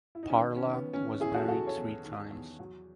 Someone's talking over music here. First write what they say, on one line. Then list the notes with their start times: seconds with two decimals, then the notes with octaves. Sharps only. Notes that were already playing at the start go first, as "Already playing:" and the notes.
Parla was married three times.
0.15 E4
0.23 D#4
0.30 C#4
0.37 D#3 B3
0.56 C#4
0.65 D#3
0.74 B3
0.93 D#3 C#4
1.20 E2 E4 G#4
1.34 F#4 A4
1.48 F#3 F#4 A4
1.66 A4 C#5
1.76 E2
2.03 D#3
2.31 E2
2.59 F#3